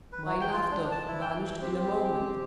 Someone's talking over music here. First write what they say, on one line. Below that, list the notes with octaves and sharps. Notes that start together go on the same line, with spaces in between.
My laughter vanished in a moment.
B4
F#3
G5
F4
D4
A5
E4
G5
C4 G4